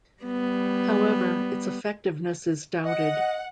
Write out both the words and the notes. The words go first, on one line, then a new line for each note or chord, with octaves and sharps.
However, its effectiveness is doubted.
G3 B3
D#5 F#5